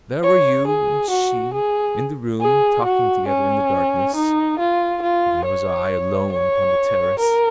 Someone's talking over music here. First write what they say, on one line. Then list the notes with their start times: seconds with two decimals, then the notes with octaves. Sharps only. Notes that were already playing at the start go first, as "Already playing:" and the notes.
There were you and she in the room talking together in the darkness; there was I alone upon the terrace.
0.23 C#5
0.67 G#4
1.10 F#4
1.54 G#4
2.41 G#4
2.84 F#4
3.28 C#4
4.15 D#4
4.59 F4
5.02 F4
5.45 C#5
6.32 C#5
7.19 A#4